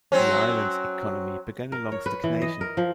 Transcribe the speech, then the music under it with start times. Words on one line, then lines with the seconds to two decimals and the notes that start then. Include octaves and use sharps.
The island's economy began a long stagnantion.
0.12 F#3 C4 C#4
1.72 A#4
1.92 C#5
2.06 B4
2.24 E3
2.42 D#5
2.61 A#4
2.77 F3